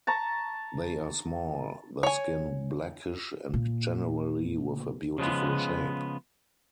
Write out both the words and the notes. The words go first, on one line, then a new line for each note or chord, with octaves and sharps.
They are small, the skin blackish and generally with a beautiful shape.
A5 A#5 C#6
C#5 G#5
A#2
C#3 F3 G#3 B3